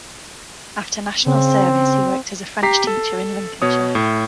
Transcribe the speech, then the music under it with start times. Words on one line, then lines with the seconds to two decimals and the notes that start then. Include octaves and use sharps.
After national service he worked as a French teacher in Lincolnshire.
1.26 C#3 C4
2.63 G4 A#5 B6 C7
2.87 A4
3.62 B2 C#5 D#6
3.95 A2